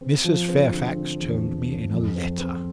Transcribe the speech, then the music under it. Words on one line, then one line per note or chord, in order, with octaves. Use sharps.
"Mrs. Fairfax told me in a letter."
C4
F3
C4
D3
D3
E2
C4
C4
F2
C4
C4